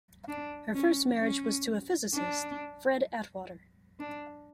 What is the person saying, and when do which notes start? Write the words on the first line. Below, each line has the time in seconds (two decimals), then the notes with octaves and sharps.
Her first marriage was to a physicist, Fred Atwater.
0.28 D4
0.75 C#4
1.21 C#4
2.14 D4
4.00 D4